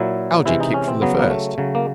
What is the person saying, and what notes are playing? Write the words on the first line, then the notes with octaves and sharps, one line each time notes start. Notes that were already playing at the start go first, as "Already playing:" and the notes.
Algie kicked from the first.
Already playing: A#2 F#3 E4
C3 E3 G#3 E4
D#4
C#4
C4
C#3 F#3 B3
A#3
A3
C#3 F#3
A#3